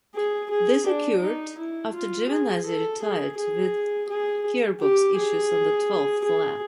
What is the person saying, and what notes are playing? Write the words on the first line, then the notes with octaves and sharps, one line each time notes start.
This occurred after Giovinazzi retired with gearbox issues on the twelfth lap.
G#4
G#4
D4
D#4
E4
F4
G#4
A4
G#4
G#4
G#4
G4
G#4
G#4